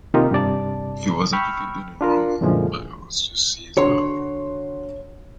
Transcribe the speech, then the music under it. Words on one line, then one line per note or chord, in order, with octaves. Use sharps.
He was educated in Rome by Augustus Caesar.
C3 D#3 A#3 D#4 F4 G4
G2 C3 D5 A5
G5 B5 C#6 E6 F6
D4 F4 A#4
F#2 A#2 D3 E3 F3 G#3
D3 F#4 C#5 C6